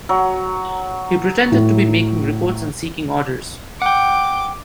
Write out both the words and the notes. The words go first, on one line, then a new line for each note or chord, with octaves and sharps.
He pretended to be making reports and seeking orders.
F#3
A2
F#5 G5 D6